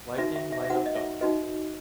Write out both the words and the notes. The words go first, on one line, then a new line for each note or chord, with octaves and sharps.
Lightning light up dawn.
D#4 F#4 B4 E5
E5
E5
E5
D#4 F#4 B4 F#5
D#5
E5
D#4 F#4 B4 D#5